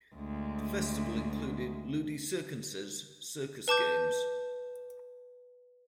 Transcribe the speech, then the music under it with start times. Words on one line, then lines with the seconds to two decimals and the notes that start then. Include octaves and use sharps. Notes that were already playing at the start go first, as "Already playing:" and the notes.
The festival included "ludi circenses", circus games.
0.15 D2 G#3
3.68 B4 A5 D6 G6